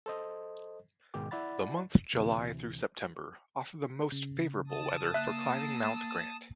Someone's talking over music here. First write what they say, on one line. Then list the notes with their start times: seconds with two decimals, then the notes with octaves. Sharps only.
The months July through September offer the most favorable weather for climbing Mount Grant.
0.06 A4 C5 D#5
1.14 G#2 B2 D#3 G#3 G5 D6
1.31 E4 D5 F#5 B5 A6
2.13 D2 C3 E3
4.12 C#3
4.67 A5 D#6
5.14 A#3 E5 E6 F#6